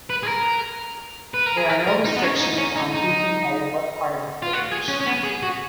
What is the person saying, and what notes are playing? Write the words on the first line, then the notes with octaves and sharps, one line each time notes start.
There are no restrictions on who can edit what part of the page.
B4
G#4
A#4
B4
A#4
G#4
A#4
A#4
D#4
B3
C#4
D#4
D#4
C#4
D#4
D#4
F4
F#4
G#4
C#4
C#4
B3
G#4
F#4